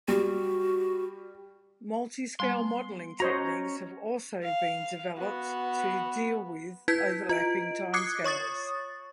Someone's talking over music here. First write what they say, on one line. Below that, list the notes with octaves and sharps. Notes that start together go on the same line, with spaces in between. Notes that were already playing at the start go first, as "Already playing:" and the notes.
Multiscale modeling techniques have also been developed to deal with overlapping time scales.
G3 F#4
G3 B3 B4 C6
C#4 F#4 C5 C#5 D#5 A#5
F5
B3 F#4
E4 B4 G6 G#6 B6
F4 D#5 D7
D6 D#6 F#6 G#6 C7 C#7
C#5 C#6 D#6 A6